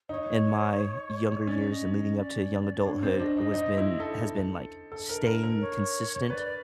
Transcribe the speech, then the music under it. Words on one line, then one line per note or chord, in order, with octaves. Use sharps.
in my younger years and leading up to young adulthood, was been has been, like, staying consistent
D#4 C#5
C#4 D5
D#5
D#5
D5
D4 C#5
C4 D5
D4 D#5
D#4 D#5
D#4
E4
A4
A4
A#4
A#4
A#4
C#5
B4 D5